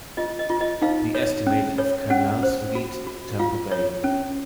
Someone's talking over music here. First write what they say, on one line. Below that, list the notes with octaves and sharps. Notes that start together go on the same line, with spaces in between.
The estimated of canals lead to Tampa Bay.
F4 D#5
D#5
F4
D#5
D#4 F5
C#5
C#4
C#5
C#4 F#5
C5
F#4
F#4
F4 F5
C#5
C#4